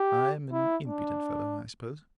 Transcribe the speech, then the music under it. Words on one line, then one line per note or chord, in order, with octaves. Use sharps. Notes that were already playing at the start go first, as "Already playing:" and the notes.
I am an impudent fellow, I suppose.
Already playing: G4
E4
D4